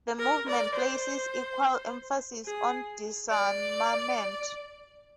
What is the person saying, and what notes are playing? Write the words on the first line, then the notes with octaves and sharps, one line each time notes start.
The movement places equal emphasis on disarmament.
A#4
D5
C5
G#4
D5